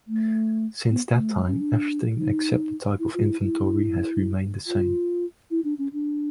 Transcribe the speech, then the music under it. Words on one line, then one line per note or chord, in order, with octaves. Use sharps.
Since that time, everything except the type of inventory has remained the same.
A3
B3
A#3
A3
G#3
C#4
D4
D#4
E4
F4
E4
E4
F4
E4
D4
C#4
D4